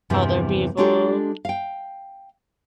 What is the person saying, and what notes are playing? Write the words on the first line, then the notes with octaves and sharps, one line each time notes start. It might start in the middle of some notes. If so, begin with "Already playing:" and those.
Other people.
E2 G2 C3 E3 F3
G#3 D4 F4 G4 A4
F5 G5